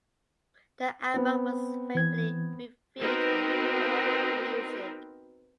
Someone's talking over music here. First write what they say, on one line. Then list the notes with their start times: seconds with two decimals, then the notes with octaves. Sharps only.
The album was favorably reviewed on Allmusic.
1.14 B3 C4
1.95 E3 G#6
2.99 B3 C4 D#4 F#4 A#4 B4